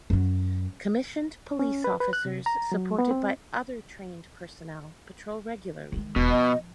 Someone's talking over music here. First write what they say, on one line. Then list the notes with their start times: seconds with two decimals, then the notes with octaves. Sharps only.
Commissioned police officers supported by other trained personnel patrol regularly.
0.10 F#2 F#3
1.59 C#4
1.84 B4
2.00 B4
2.13 F#6
2.25 C3
2.46 A#5
2.72 F#3
2.98 B3
3.11 C4
5.92 D#3 G#3
6.16 E1 B2
6.30 F3 D#5